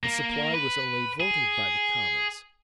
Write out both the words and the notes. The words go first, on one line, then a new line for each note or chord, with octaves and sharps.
The supply was only voted by the commons.
A#3
B4
G#4